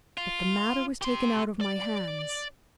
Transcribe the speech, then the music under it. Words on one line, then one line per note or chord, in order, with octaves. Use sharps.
But the matter was taken out of my hands.
F4
G4 C6
D5